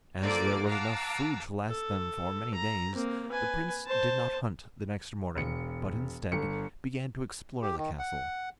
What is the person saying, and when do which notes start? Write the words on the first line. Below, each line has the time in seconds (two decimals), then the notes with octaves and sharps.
As there was enough food to last them for many days, the prince did not hunt the next morning, but, instead, began to explore the castle.
0.22 D3 F3 A#3 D5 D6 A6
0.68 F5 F#5 A5 A#5 D6 E6
1.68 A4
2.54 A#5
2.95 A#3 C4
3.30 B4 G#5
3.87 C5 A5
5.36 E1 C#7
6.32 G1 C#7
7.62 G4
7.77 D#3
7.99 F#5